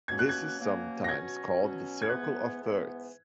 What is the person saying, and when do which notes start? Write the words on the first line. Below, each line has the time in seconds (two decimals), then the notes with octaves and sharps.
This is sometimes called the "circle of thirds".
0.08 B2 F#3 A#3 C#4 G#6
0.19 F#6
0.29 G#6
0.58 B2 F#3 A#3 C#4
1.04 A#6
1.08 B2 F#3 C#4 F#4 G#6
1.59 B2 F#3 C#4 F#4
2.02 G#6
2.09 G#2 E3 B3 F#6
2.59 G#2 E3 B3